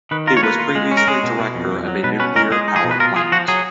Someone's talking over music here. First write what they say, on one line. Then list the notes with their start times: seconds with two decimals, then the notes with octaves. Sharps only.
He was previously director of a nuclear-power plant.
0.11 D#3 B4
0.27 F4 A#4
0.37 C#5
0.43 A#3 B4
0.59 F4
0.75 G#3
0.91 C#4
0.97 A#4
1.07 G#3 G#4
1.24 B2
1.40 B2
1.55 F2
1.72 F2
1.88 F#3
2.03 B2 B4
2.20 C#4 B4
2.36 G#3 A#4
2.51 G#3 G#4
2.68 D#4
2.76 G#4
2.84 B2
2.91 B4
3.00 F4 A#4
3.16 F4 G#4
3.32 F3 F#4
3.48 F#3 G#4